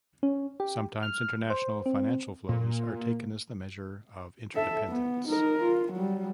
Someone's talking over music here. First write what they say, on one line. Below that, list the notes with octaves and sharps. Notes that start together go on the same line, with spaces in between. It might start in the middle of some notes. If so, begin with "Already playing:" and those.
Sometimes international financial flows are taken as the measure of interdependence.
C#4
G4
F6
C5
C4
A#2
A4 E5
B3
D#4 A#4
F4
F#3 G3